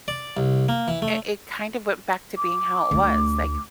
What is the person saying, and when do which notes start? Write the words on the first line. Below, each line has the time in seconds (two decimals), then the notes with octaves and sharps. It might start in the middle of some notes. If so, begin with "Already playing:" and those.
it it kind of went back to being how it was, like,
0.08 D5
0.37 C2
0.69 A#3
0.88 E3
1.02 A3
2.37 D6
2.91 D2 A3